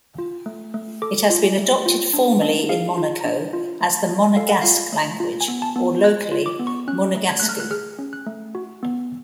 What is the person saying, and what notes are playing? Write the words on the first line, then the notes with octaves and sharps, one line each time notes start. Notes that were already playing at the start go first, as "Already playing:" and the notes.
It has been adopted formally in Monaco as the Monegasque language; or locally, "Munegascu".
F4
A3
A3
A4 D6
F4
A3
F4
D4
D4
G#4 F5
F4
D4
F4
A3
A3
A4 F5
F#5
F4 F5
A3
F4
G#5
B3
A5
B3
G#4 F#6
F4
D6
B3
C#6
C#4 F#6
A3
G#6
A3 F#6
F6
F#6
G#4 F6
C#4
F#6
A3
F#4
B3